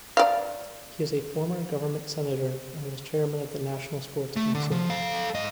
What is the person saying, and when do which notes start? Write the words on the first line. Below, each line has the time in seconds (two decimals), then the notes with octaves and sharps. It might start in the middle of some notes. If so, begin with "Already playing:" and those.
He is a former Government Senator and was Chairman of the National Sports Council.
0.17 D5 F5
4.36 A3
4.55 D3
4.71 F3
4.90 A4 F5
5.34 G#2 D#5